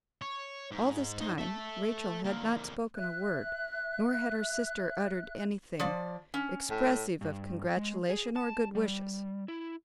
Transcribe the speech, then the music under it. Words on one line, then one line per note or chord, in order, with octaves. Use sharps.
All this time Rachel had not spoken a word, nor had her sister uttered anything expressive of congratulation or good wishes.
C#5
G#2
D#4 C5
A4 E5
D3 A#3
E5 F#6
F3 D5
C#4
A2
G2
G#3
G#4
A5
G3
E4